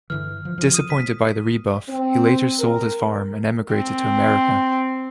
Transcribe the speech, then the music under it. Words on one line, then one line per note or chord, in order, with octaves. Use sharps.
Disappointed by the rebuff, he later sold his farm and emigrated to America.
G2 D3 E3 F6
F3
F3
D#6 D#7
B6
C4
A#4
C4